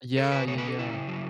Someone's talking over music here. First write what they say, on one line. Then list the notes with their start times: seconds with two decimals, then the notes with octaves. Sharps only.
Yeah, yeah, yeah.
0.17 C#3 A4
0.32 C#3 B4
0.47 A3 C#5
0.58 B4
0.63 C#4 A4
0.78 C#3 E4
0.94 C#3
1.08 F#3